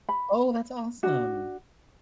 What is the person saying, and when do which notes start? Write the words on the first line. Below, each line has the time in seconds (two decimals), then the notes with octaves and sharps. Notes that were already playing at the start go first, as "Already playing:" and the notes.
Oh, that's awesome!
0.09 B5
1.03 D4 F#4